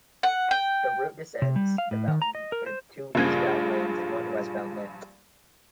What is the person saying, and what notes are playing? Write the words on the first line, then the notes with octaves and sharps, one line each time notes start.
The route descends the mountain with two eastbound lanes and one westbound lane.
F#5
G5
C3
G3
F5
A2
D#3
A#5
D#5
A#4
C5
A#1 G2 C#3 A#3 F4 G#4 G#5